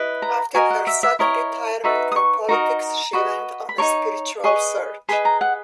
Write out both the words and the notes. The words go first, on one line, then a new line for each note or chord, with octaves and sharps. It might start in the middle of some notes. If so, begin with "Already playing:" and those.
After her sudden retirement from politics she went on a "spiritual search".
Already playing: E4 B4 D#5
A#5
F#4 A#4 D#5 G#5
F#5
E5
E5
E4 A#4 C#5 D#5
D#4 F#4 B4 E5
D#6
C#6
D#4 F#4 A#4 D#5 A#5
F#4 B4 D#5
B5
D#4 A#4 C#5 C#6
G#4 B4 D#5 C#6
G#4 B4 D#5 B5
A#5
F#5